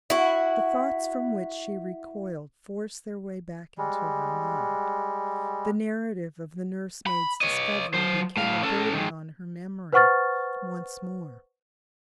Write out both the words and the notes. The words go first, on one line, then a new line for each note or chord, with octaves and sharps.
The thoughts from which she recoiled forced their way back into her mind; the narrative of the nursemaid's discovery became a burden on her memory once more.
E4 F#4
G3 G#3
B5
C#5 D#5
F#3 C5
A2 F5
C#4 A4
D#3 G#3
B4 C5 F#5 C#6 F6 A6